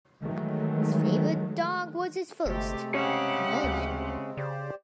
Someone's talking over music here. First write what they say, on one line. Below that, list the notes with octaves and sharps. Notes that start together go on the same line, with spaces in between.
His favorite dog was his first, Norman.
D#3 E3 F#3 G#3 A3
G1 C3 G#3 A3 C4 G4
C#3 C#4 G4 C#5 F#5
D2
C#3 G4 C5 D5